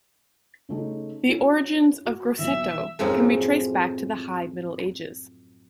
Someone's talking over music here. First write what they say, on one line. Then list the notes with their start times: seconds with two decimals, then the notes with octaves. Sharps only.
The origins of Grosseto can be traced back to the High Middle Ages.
0.69 C#3 A3 D#4
1.27 C#4 E4 F#4
2.05 F#4
2.39 B1 E3 E5
2.99 F#2 A2 F3 G#3 C4 D#4